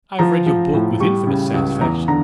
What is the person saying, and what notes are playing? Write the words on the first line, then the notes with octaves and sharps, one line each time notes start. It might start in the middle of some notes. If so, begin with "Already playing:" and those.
I have read your book with infinite satisfaction.
F3 A#5
F3
A2
G3 C#6
C#3
C#2
E2 A#5
D3 A#5